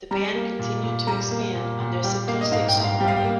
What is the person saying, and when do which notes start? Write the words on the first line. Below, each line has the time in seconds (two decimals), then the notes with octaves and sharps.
The band continued to expand on their simplistic songwriting.
0.11 G3 A#5
0.35 A#3
0.59 A#2
0.83 A#2
1.07 G3 A#5
1.31 A#3
1.55 A#2
1.80 A#2
2.04 G3 G5
2.28 A#3 F5
2.41 D#5
2.52 G#2 F5
2.69 G5
2.77 G#2
2.84 F5
3.00 G3 G5
3.08 F5
3.17 G5
3.24 A#3